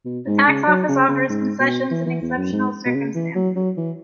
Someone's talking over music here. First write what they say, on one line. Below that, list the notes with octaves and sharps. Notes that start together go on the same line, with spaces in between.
The tax office offers concessions in exceptional circumstances.
B2
G#2
C#3
F#3
C#3
C#3
G#2
B2
E3
E3
E2
F#2
G#2
B2
C#3
E3
F#3
F#3
E3